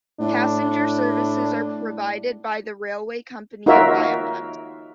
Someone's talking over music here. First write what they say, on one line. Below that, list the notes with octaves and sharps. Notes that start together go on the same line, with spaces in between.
Passenger services are provided by the railway company of Viamont.
A2 D4
D#4 F4 F#4 A#4 C#5 E5